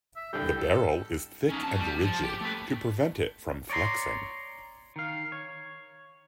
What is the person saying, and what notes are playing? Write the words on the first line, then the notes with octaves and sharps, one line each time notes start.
The barrel is thick and rigid, to prevent it from flexing.
E5
C2 D3 G3 G5
A4
C#4 D#4
F2 A5
G3
F3
G4 G5
A3 B4
C#5 D5 G5 A#5 C6
D#3 F5
C#5